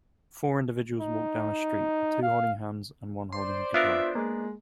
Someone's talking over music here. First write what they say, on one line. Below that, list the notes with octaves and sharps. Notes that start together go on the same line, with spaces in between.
Four individuals walk down a street, with two holding hands and one holding a guitar.
D#4
F5
C5 D5 C6
B3 D4 F4 A#4 E5
G#3 A#3